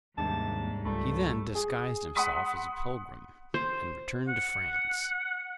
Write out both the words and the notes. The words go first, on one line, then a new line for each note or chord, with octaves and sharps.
He then disguised himself as a pilgrim, and returned to France.
D#2 G#2 C3 G3 D4 A5
C#2 G3 A3 B5
G#4
F#5 B5 C6 D#6 B6 D#7
C5
F#5